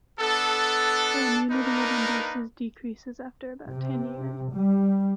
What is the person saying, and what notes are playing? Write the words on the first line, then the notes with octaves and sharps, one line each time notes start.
The immunity it induces decreases after about ten years.
B3 D4 A4
A#3 D4 D#4 A#4 B4
C3
G3